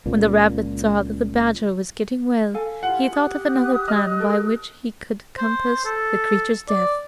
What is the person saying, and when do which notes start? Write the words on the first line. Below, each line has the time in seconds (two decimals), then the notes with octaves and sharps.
When the rabbit saw that the badger was getting well, he thought of another plan by which he could compass the creature's death.
0.06 C#2 A#2
2.54 A4 F5 G#5
2.83 E4 F4 G4 F#5
3.11 G4 D#6 F#6
3.88 D#5 F6
4.19 A4 A#4
5.38 C5
5.85 A4
6.69 D5